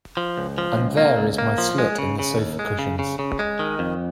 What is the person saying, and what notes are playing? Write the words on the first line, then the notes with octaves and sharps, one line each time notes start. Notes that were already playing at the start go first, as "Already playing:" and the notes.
And there is my slit in the sofa cushions.
F3
C#2
F3
C#2
A#3
C#2
A#3
F3
G#3
C#3
C#3
D#2
G#3
C#3
C#3
C#3
G#3
D#3
F2